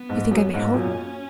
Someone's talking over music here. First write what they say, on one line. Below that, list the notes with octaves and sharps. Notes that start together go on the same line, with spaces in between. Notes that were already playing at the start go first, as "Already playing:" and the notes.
You think I may hope?
Already playing: B3
G#2
F#2
G#2
F#2 A#2 C#4